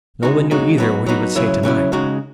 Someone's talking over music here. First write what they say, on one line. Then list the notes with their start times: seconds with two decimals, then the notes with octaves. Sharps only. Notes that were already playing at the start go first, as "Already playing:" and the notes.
No one knew either what he would say to-night.
0.23 C#3 G#3 D#4 F#4
0.51 C#3 G#3 D#4 F#4
0.78 F#3 B3 D#4 F#4
1.06 F#3 B3 D#4 F#4
1.36 C#3 F#3 C#4 E4
1.63 C#3 F#3 C#4 E4
1.92 C#3 G#3 D#4 F#4